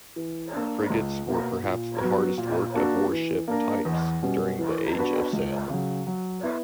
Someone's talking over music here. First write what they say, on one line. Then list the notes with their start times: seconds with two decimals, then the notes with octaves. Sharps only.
Frigates were perhaps the hardest-worked of warship types during the Age of Sail.
0.16 E3
0.53 A#3 D4
0.90 C#2
1.27 B2 A#3
1.64 A#2
2.01 F#3 B3 F#4
2.38 A#2
2.74 A#3 D4 F#4
3.11 E3
3.48 A#3 D4 A#4
3.85 E2
4.23 B2 G3 C#4
4.59 E3
4.95 B3 D4 F#4 B4
5.33 C#2
5.70 C#3 F#3
6.07 F#3
6.43 B3 E4